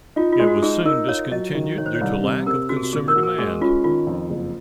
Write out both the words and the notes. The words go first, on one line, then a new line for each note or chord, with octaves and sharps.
It was soon discontinued due to lack of consumer demand.
D#4 F4
F4
G#3
F#4
D#4 G#4
D#4 A#4
F4 C#5
F#3 D#5
D#3
D#3 C#5
C5
C#5
C2
C3
C3 A#4
C3 F#4
G#4
F#4
A#2 G#4
A#4
F#4
A#4
G#3 G#4
C#4 F4
D#3 F4
F2
F#1